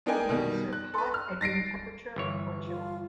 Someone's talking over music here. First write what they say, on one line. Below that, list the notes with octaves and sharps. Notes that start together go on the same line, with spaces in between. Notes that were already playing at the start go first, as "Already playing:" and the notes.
It may be served hot, at room temperature or chilled.
B3 D4 D#4 A#4 G5 G#5
B2 D#3 G3
F#6
A4 B4
F6
A6 A#6 C7 D7
G1 E3 C#5
F4